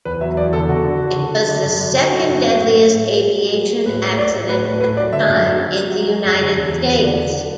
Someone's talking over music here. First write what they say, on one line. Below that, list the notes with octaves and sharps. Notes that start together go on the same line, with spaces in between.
It was the second-deadliest aviation accident at the time in the United States.
E2 B4
F#3 E5
E2 D5
D3 A4
D3 F#4
D3
D3
D3
F#3
D3
F#2
D3
F#3 F#4
A4
D3 F#4
F#2
F#2
A2
A2
A2
F#3
F#3
F#3
F#3
F#3
A2 B4
A2
A2 D5
F#3
A2 B4
A2 B4
A2 B4
F#3 D5
D3 E5
F#2
F#3
F#3
F#3
F#3
F#3
F#2
D3
E2
F#3
E2
D3 D5
D3
F#3